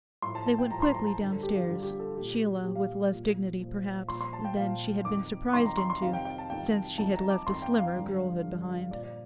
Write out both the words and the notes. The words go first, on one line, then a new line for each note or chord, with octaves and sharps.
They went quickly downstairs, Sheila with less dignity, perhaps, than she had been surprised into since she had left a slimmer girlhood behind.
A2 F3 C6
A5
A5
G5
A2 F3 A#5
C6
A#5
A5
G2 D3 F3
A4
G4
F4
G2 D3 F3 G4
G4
A4
A#2 F3 G4
A#2 F3 G4
F5
A#2 F3
A#2 F3
A#2 F3 C6
C6
A5
G5
A#2 F3 F5
F2 D#3 D6
F2 D#3 C6
A#5
C6
C6
F2 C3 D#3 F5
G5
G5
A5
F2 C3 D#3 G5
F2 D#3 A5
A#5
D6
F2 D#3 C6
G5
F5
G2 D3 F3
G2 D3 F3
A#2 F3 D5
D5